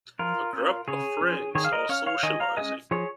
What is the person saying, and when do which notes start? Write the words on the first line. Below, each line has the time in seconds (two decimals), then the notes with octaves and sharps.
A group of friends are socializing.
0.19 F3 F4 A#4
0.53 C#4
0.88 C#3 G#4 C#5
1.21 F3 C#4
1.55 D#3 G#4 C#5
1.64 F5
1.72 A#4 D#5
1.89 C#4 C#5 F5
2.06 C#5 F5
2.23 D#3 D#5 G#5
2.40 F5 A#5
2.57 G#3 C#4 D#5 G#5
2.91 F3 G#4 C#5